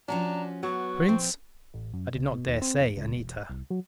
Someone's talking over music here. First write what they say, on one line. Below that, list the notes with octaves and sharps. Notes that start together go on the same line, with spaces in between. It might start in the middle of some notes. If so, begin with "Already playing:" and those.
"Prince?" I did not dare say "Anita."
F3 C#4 D4 F#4 A#5
F#3 B3 C#6
A#2 F3 C4
A1
F#2
C#2
B2
D#2
C4
E2
C#2
E1
C2
F#3